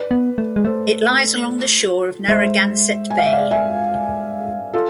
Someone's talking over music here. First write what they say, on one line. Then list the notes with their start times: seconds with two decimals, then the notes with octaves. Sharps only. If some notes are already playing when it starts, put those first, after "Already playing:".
It lies along the shore of Narragansett Bay.
Already playing: B4 D5
0.11 B3
0.38 A3
0.56 G#3
0.65 A3 A4 C5
2.28 G#3 C5 E5
3.10 G#5
3.18 F5
3.26 E5
3.33 D5 F5
3.51 E5 G#5
4.74 F4 A4